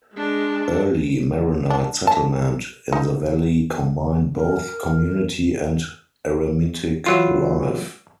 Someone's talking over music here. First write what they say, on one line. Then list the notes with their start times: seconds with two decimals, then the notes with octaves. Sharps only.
Early Maronite settlement in the valley combined both community and eremitic life.
0.14 G#3 D4
1.70 D4
2.07 A5
2.93 D#4
4.36 A#4
7.06 E3 F#3 F4